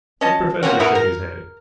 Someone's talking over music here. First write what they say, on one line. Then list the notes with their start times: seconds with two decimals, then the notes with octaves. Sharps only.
The professor shook his head.
0.21 C#4 D#5 A5
0.63 A#3 C4 C#4 F#4
0.79 B3 E4 F#4 A#4
0.95 A#4